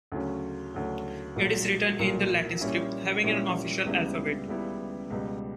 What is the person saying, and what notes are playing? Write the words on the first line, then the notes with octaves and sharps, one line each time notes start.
It is written in the Latin script, having an official alphabet.
D2 C#3 F#3 C#4
D2 C#3 F#3 C#4
B1 A#2 F#3 A#3
B1 A#2 F#3 A#3
A#2 G3 C#4 E4
A#2 G3 C#4 E4
C#2 C#3 G3 B3 E4
C#2 C#3 G3 B3 E4
C#2 B2 G3